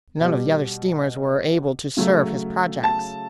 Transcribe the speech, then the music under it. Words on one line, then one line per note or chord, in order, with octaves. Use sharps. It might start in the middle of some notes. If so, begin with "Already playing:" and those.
None of the other steamers were able to serve his projects.
B2 G3
C#3 F#3 A3
A5